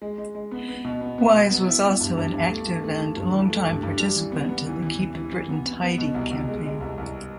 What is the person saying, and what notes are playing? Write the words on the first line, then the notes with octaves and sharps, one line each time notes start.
Wise was also an active and long-time participant in the Keep Britain Tidy campaign.
G#3
G#3
G#3
B3
B3
B2
B3
B3
B2
B3
E4
B3
G2
G2
G2
A3
A3
A3
A3
G2
E3
A3
G2
G2
G3
E3
B3
B3
E3
E3
E3
E3
E3
B3
B3
B3
B2
C2
C2
G#3
G#3
C2
C2